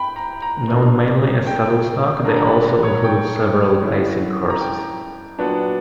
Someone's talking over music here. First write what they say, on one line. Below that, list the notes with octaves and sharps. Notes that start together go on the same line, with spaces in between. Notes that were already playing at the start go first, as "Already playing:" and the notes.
Known mainly as saddle stock, they also included several pacing horses.
Already playing: G5 B5
A#5
A#5
B2 A#3 D4
G5
D3 A#3 D4 A#5
A#5
B5
A#5
C#5
G5
D3 G3 C#4 E4
A#5
G5
A#2 F#3 B3 D4